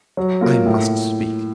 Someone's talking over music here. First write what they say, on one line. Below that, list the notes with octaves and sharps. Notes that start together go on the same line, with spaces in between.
I must speak.
F#3
A#3 F4 A#4
A2